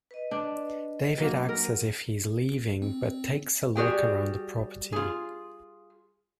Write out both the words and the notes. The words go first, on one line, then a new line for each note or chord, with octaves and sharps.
David acts as if he is leaving but takes a look around the property.
B4 D#5
D4
F#3 A#3
A#4
C4
G3 F#4 G#4 G5
F4 G#4